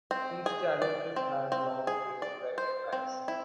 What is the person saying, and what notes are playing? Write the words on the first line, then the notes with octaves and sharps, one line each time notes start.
These challenges have long been recognized.
C4
G#4
D5
C4
C4
G#4
D5
C5
C4
E4